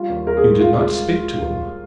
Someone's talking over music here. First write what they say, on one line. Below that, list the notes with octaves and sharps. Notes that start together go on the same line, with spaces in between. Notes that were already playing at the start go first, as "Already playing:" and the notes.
'You did not speak to him.'
Already playing: G3 F4
D#2
D#2 A#4
G#4
G3
G#3 F4
G#3